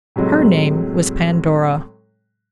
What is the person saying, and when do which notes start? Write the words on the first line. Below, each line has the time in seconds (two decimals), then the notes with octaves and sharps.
Her name was Pandora.
0.16 A2 C3 F#3 G#3